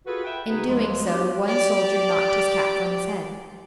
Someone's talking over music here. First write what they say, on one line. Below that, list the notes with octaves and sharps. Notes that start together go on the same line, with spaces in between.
In doing so one soldier knocked his cap from his head.
F4 F#4 G#4 A4 B4
B4 E5 F#5 G5
C#3 B3 D#4 F#4 G#4 B4
D#2 F3 G#3
G#3 B3 D4 F#4 G4
G4 D5